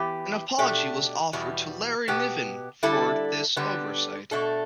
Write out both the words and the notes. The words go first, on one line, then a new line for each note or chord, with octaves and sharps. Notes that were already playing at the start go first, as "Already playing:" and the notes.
An apology was offered to Larry Niven for this oversight.
Already playing: E3 B3 G4
B2 A3 D4 G4
E2 B2 G3
B2 B3 G4
D3 G3 E4 A4
D3 G3 B3
B2 A3 D4 A4